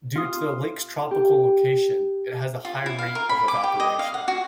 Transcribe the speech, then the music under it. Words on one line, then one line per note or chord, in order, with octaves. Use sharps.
Due to the lake's tropical location, it has a high rate of evaporation.
F4 D#6
G4
F4
E4
F5
A#4
B5
D6
G4
D#5
F5
F#5
F#4